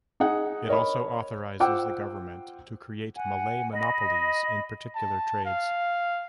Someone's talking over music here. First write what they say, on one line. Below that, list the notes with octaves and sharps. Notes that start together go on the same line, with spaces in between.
It also authorises the government to create Malay monopolies in particular trades.
D#4 G#4 F#5
A#4 C#5 D#5 B5
F4 C5 F#5 G5 D6 E6
F#5 G#5
D#5 B5
A5
F5